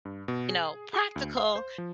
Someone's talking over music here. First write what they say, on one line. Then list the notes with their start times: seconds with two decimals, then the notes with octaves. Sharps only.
you know, practical,
0.05 G2
0.28 B2
0.49 G#4
0.93 G#4
1.16 D2
1.37 F5
1.56 C5
1.78 F3